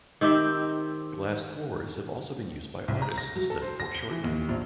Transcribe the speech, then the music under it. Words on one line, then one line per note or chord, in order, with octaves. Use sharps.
Glass floors have also been used by artists to study foreshortening.
D#3 C4 G4 E5
C2
A#5
A#6
F#3
A4
C5
A#6
G7
E3
D#2
A#1